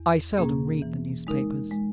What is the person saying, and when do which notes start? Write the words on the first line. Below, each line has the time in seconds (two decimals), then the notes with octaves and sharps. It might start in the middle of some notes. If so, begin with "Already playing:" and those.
"I seldom read the newspapers."
Already playing: E2
0.38 B2 A#3 C#4 G#4
0.82 E3
1.27 G#3 D#4 A#4
1.71 G#3